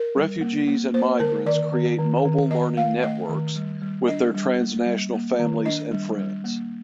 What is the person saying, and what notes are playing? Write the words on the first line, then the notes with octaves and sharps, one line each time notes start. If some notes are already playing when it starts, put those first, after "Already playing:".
Refugees and migrants create mobile learning networks with their transnational families and friends.
Already playing: A#4
G3
A#3
A#3
A#3 C5
D3 A#4
D#3 D5
D#3
D#3
D#3
D#3 D#5
A3 F5
A3 D#5
D#3
G3
G3
D4 D#5
G3
A#3
G3
A#3
D#3
D4 D#5
G3
G3
A#3